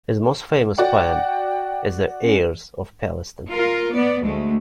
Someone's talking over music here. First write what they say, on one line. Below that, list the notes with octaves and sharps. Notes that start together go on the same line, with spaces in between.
His most famous poem is "The Airs of Palestine".
F#4 D5 F#5 G5
C#4
F4 A#4
B3 D5
D2 G#3 A3